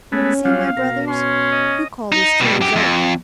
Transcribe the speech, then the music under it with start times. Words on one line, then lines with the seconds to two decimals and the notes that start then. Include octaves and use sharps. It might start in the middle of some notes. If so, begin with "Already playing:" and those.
See, my brothers, you call this tree his oak.
0.12 G#3 A3 B3 C#4
0.45 F#3 G3 F4 F5
0.77 B2 A#4
1.08 C#4 C6
1.52 D#5
2.12 D#4
2.40 B2 G3
2.61 F#2 G4
2.76 F2